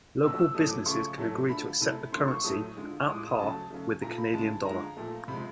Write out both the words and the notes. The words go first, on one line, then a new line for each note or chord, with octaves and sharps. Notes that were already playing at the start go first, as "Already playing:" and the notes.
Local businesses can agree to accept the currency at par with the Canadian dollar.
B2 F#3 A3 E6
E6
A2 F#3 A3 D#6
D6
C#3 F3 A3 C#6
A2 F#3 A3
D3 F3 A3 B5
C3 E3 A3
D3 F3 A3 C6
C#6
A2 F#3 A3 D#6
D3 F3 G#3
A2 F3 G#3 D#6
D6
D#6
C#3 F#3 A3 A5
C#3 F#3 A3
A#2 F3 A3 A#5
B5
C#3 E3 G#3 A5
D3 F3 G#3 A#5
A#2 F3 A3
C3 F3 G#3 B5